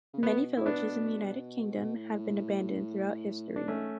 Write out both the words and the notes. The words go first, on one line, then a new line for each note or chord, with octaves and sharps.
Many villages in the United Kingdom have been abandoned throughout history.
C#3
B2 B3
E4
B3 D4
A2
D4
G#2 A3 C#4